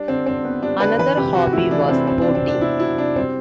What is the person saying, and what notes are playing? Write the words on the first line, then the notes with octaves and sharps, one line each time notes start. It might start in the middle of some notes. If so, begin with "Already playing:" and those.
Another hobby was boating.
Already playing: G3 D4
D3 C4
D3 C4
B3
G3 D4
D3 B4
E3 B4
C3 G4
C3 F#4
A3 E4
E3 D4
C3 C4
F#3 C4
C3 D4
C4
C3 D4
B3 E4
F#3 E4
C3 D4
G3 C4